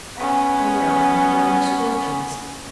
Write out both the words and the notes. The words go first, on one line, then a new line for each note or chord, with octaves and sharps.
I now come to my misfortunes.
B3 C#4